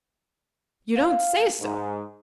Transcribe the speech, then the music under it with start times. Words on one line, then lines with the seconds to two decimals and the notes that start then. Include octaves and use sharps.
"You don't say so?"
0.97 F5
1.61 G#2